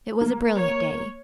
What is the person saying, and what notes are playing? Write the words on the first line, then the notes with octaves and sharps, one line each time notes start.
It was a brilliant day.
A#3
C#5